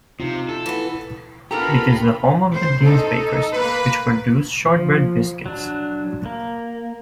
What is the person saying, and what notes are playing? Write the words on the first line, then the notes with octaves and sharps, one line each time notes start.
It is the home of the Deans bakers, which produce shortbread biscuits.
C3 D#4 F4
E4 A4
E3 B3
B3 D4 F4 G4 A4 A#4 A#5 B5
C5
D#4 A4
A#3 B4
F3
F#3 D4
A#3